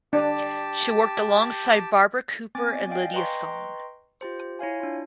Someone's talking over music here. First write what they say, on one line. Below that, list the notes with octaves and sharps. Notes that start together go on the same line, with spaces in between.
She worked alongside Barbara Cooper and Lydia Sohn.
D4 G4 D5 G5 A5
B3 C4 G#5 D6 A6
D5 D#5 F5 G5 G#5
B4 D#5 G5 A#5 C6 C#6
F4 G4 C5
E4 C#5 F5 G#5
D4 F4